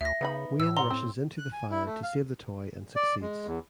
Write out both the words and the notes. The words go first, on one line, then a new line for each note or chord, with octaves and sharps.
Wayne rushes into the fire to save the toy and succeeds.
D2 E5 A#6
C#3 B3 D#4 B5
A2 E6
G3 F#5 A#5 C6
C4
F#6
G#5
E4
A3
F5
D5
G#3
E2